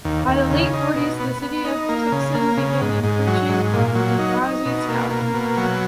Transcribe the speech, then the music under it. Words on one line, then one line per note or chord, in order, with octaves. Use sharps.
By the late forties, the city of Tucson began encroaching on DeGrazia's gallery.
D#2
D#2
C#3
D#4
B2
B3
B3
D#4
A#3
C#3
A#3
C#3
G#2
G#2
F#3
G#2
A#2
F#3
D#4
D#4
B2
A#3
A#3
B2
F#3